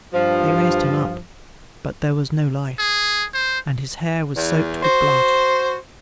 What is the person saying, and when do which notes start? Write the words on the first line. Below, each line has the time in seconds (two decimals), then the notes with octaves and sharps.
They raised him up, but there was no life, and his hair was soaked with blood.
0.14 G2 F3
2.79 G#4
3.34 C5
4.35 E2
4.83 F#4 C5